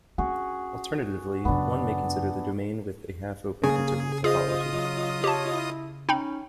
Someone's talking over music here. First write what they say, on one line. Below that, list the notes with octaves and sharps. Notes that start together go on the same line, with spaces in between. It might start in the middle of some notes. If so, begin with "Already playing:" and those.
Alternatively, one may consider the domain with a half-open interval topology.
C#4 F#4 G#4
F#2 C#3 B3 D4
C#3 A#3 G#4
F4 G#4 C5 D#5 D#6
F#3
G4 C#5 A5
E4
C#4 D#4 G5 B5